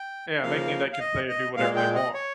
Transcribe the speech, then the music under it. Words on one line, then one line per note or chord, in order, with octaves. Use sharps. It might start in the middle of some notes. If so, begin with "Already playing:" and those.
Yeah, they think they can say and do whatever they want.
Already playing: G5
C#3 F3 A#3 F5
F5
D#5
D#5
A#2 G#3 F5
G5
D#5
C#5